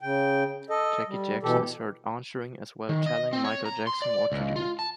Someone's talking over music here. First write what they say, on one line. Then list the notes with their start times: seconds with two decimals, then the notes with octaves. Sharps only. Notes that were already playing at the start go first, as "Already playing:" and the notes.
Jackie Jackson is heard answering as well telling Michael Jackson what to do.
0.01 C#3 G5
0.70 A4 D#5
1.08 G3
1.43 B2 E3 G4 A4
2.89 D#3
3.06 D#5
3.33 C4
3.44 C#5
3.66 A#5
3.87 C6
4.02 D5
4.32 C#2
4.56 F4
4.79 A5